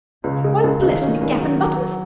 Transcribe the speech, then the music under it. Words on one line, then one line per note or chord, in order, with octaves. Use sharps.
Why, bless me cap and buttons!
C#2 C#3
G#3
C#2
C#2 D#3
C#4
C#2
F#3
F#3
F#3